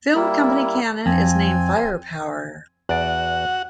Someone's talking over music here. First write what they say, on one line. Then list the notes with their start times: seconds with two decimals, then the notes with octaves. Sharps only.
Film company Cannon is named Firepower.
0.15 G3 A#3 E4
1.06 F2 C4 G#5
2.89 E2 F#4 D5 F#5